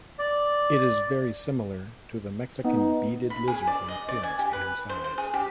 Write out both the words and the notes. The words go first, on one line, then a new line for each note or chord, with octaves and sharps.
It is very similar to the Mexican beaded lizard in appearance and size.
D5
B3 D#4
B5
G#4
D5
D#5
D5
G#5
G4
B4
C5
C5
G#4
G4